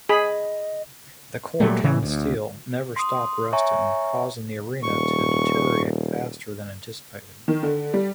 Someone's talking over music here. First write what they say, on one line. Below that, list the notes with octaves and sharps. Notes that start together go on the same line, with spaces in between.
The Cor-Ten steel never stopped rusting, causing the arena to deteriorate faster than anticipated.
G#4 D#5 B5
A#2 F#3 G3 A3
A2 C#3 E3
D2
C6 D#6
C#5 E5 G#5 A#5 C#6
D#1 C#6
D#3
D3
G3